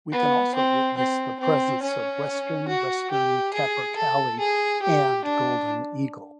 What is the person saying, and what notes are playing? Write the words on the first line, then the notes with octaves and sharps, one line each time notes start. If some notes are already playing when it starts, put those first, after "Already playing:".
We can also witness the presence of western western capercaillie and golden eagle.
B3
C4
C4
C4
C#4
F#4
G4
G#4
A4
G#4
G4
D4